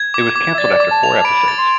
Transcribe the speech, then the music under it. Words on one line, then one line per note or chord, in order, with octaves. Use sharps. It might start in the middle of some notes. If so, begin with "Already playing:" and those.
It was cancelled after four episodes.
Already playing: G#6
D6
D6
E5
D5 A6
D6
A5
F7
A5
B5 D7
A6
C6